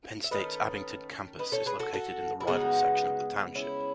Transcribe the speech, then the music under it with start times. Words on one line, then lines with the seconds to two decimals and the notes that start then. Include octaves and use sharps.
Penn State's Abington campus is located in the Rydal section of the township.
0.24 E5
0.31 D#3 A3 C#4 B4 D#5
1.39 B4 D#5
1.52 A4 C#5
1.66 G#4 B4
1.79 F#4 A4
1.93 F#4 A4
2.40 E4
2.47 C#3 G#3 B3 D#4 F#4
3.55 C#4 E4